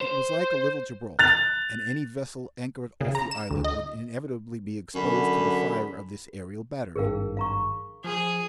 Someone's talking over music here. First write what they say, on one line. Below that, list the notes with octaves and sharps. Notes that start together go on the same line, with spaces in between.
It was like a little Gibraltar, and any vessel anchored off the islet would inevitably be exposed to the fire of this aerial battery.
C5
F#6 A6 F7
C#3
A#5
E7
D2
D#5
F#2 D3 B5
G#1 G2 G#4 A#4 F5
F5 A#5 C#6
F3 G#4